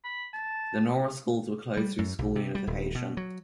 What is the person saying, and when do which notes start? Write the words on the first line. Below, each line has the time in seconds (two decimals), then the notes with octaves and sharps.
Lenora schools were closed through school unification.
0.04 B5
0.33 A5
1.77 G3
1.99 F#2
2.19 B1
2.36 C3
2.55 G3
2.67 D#1
2.95 B2
3.17 F#3